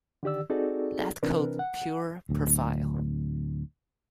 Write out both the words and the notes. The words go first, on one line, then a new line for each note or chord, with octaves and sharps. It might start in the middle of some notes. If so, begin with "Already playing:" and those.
That cold, pure profile.
D3 D#3 G4 D5 E6
C4 D#4 F#4 G#4 A4 D5
C3 E3 C4 D4 A#4 B4
F#5
D1 D2